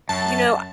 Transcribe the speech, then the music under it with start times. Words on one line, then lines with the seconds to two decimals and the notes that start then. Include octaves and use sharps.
you know, I
0.09 F#2 A5